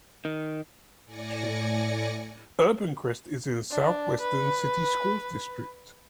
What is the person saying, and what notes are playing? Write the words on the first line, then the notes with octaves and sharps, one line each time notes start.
Urbancrest is in the South-Western City Schools District.
D#3
A2 D5 G#5 A#6 C#7
D4
B4